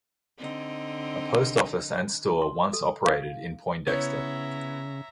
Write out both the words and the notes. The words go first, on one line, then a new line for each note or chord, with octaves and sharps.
A post office and store once operated in Poindexter.
D3 C4 D#4
C6
A4
F5
C#3 B3 E4 C#5 E5 A#5